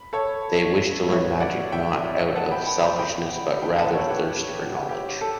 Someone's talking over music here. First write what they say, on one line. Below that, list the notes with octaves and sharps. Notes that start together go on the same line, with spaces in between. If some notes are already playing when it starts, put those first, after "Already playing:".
They wish to learn magic, not out of selfishness but rather thirst for knowledge.
Already playing: B5
A4 C#5
A2 G3 B3 C#5 E5
D5 F#5
E5 G5
F#5 A5
G5 B5
G5 B5
G5 B5
G5 B5
A2 E3 A3 D4 G5 B5
F#5 A5
A4 C#5
G4 B4
G4
A4